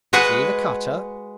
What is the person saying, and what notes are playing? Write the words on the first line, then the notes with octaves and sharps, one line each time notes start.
"See the cutter?"
G#3 F#4 G#4 B4 F#5 G#5